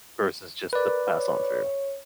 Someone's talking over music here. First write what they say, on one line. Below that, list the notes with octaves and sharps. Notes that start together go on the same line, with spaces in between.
versus just to pass on through?
A#4 B4 D5
C#5